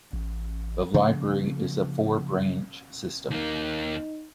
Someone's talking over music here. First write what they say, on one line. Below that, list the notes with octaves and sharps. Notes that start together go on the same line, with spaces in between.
The library is a four-branch system.
A1
C#3 F3 A3 A#3
D#2 A#3 D#4